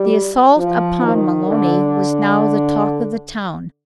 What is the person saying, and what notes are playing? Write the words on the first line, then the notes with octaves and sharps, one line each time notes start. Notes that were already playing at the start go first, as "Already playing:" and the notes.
The assault upon Maloney was now the talk of the town.
Already playing: G3
F3
D#3
D3